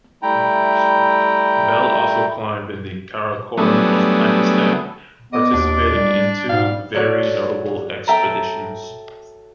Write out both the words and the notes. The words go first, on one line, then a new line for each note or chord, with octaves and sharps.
Bell also climbed in the Karakoram of Pakistan, participating in two very notable expeditions.
G3 A3 E4 G5 A#5
F#3 G3 A3 B3 D4 G#4
G#3 B3 D5 D#5 D6
D#2 D4
G3
G#2 G3 F5
F#4 A4 C#5 D5
A4 E5 G5 A5 A#5